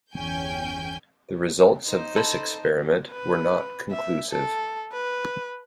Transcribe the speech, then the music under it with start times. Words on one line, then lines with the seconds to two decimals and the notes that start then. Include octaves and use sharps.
The results of this experiment were not conclusive.
0.15 G1 E2 C#4 G5 G#5 G6
1.86 D#4 C5
2.16 A4 A5 B5 C6
3.11 B4
3.91 E5
4.31 A4
4.92 B4